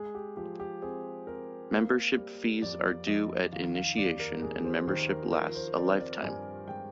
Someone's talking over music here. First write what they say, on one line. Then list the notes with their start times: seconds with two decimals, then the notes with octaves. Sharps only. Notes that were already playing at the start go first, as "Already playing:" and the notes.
Membership fees are due at initiation and membership lasts a lifetime.
Already playing: G#3 G#4
0.15 G4
0.37 F3 G4
0.60 G4
0.82 C4 G#4
1.27 C4 A#4
1.72 A#3
2.17 G3
2.62 F2 D5
3.07 F2 D#5
3.52 D#3 F5
3.75 F5
3.97 D#2 D5
4.20 A#4
4.42 D#2 G#4
4.65 C5
4.87 D#3 C5
5.10 A#4
5.32 F3 A#4
5.55 C5
5.77 C4 D5
6.00 D5
6.22 G2 G#5
6.68 G#3 G5